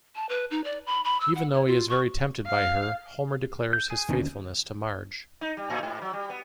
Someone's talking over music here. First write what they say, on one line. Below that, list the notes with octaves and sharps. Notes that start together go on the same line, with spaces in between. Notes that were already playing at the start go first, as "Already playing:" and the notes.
Even though he is very tempted by her, Homer declares his faithfulness to Marge.
A5
B4
D#4
D5
B5
B5
E6
F#5
C#5
F4
C#6
F5
G6
G#4 G#5
D#2 D3 C#4
D#4
G3
A2
G#2
F#3
G3
B3